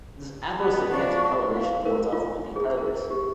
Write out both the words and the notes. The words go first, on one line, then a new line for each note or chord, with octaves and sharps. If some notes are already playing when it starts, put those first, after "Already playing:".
This aposematic colouration wards off would-be predators.
B2 B3
F3 C4 D4 C#6
F5
A#4
F4
G#4
A#4
G4